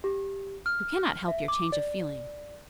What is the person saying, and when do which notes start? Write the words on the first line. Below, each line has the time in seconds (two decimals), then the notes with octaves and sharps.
You cannot help your change of feeling.
0.04 G4
0.66 F6
1.28 E5
1.48 D6
1.72 D5